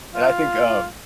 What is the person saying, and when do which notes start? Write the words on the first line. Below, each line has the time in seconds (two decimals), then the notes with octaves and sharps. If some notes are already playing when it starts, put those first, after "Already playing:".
And I think, um,
0.15 F4